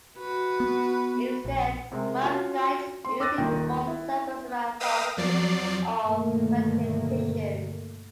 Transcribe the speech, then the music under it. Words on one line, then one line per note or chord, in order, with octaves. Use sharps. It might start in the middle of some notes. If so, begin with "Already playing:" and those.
Instead, the myocytes usually form circles around foci of connective tissue.
F#4 B4
B3
A#1
C3 G#3 A#4
C#4 F4 F#4
C4 C6
D6 E6 F#6 A6 A#6 D#7
D#1 A#1 A#2 D#3 G5
E4
B4 D#5 F5 G5 D#6 E6
F2 F3 F#3 D5 C7
G2 B2 D3 D#3 A3 A#3